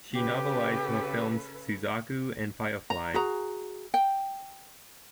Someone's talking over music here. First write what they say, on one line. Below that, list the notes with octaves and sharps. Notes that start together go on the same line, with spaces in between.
She novelized her films "Suzaku" and "Firefly".
C#3 G4 A4 B4
A#5
F#4 G#4 A#5
G5